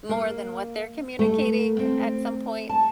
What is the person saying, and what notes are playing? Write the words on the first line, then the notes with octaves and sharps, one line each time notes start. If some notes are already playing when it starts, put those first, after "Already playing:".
more than what they're communicating at some point,
A#3
A3
C4
A5